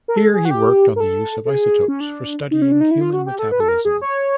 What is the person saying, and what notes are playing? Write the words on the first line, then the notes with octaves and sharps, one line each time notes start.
Here he worked on the use of isotopes for studying human metabolism.
A#4
A4
G#4
F#4
G4
A#4
A4
A4
G#4
C#4
D4
D#4
C#4
D4
D#4
E4
F4
F#4
G4
A4
B4
A4
A#4
G#4
C#5